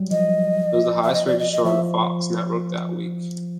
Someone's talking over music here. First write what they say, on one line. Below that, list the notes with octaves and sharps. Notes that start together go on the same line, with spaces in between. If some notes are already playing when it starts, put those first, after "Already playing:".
It was the highest-rated show on the Fox network that week.
Already playing: F#3 G3
F3 D#5
E5
D#5
D5
D#5
D#5
F3 E5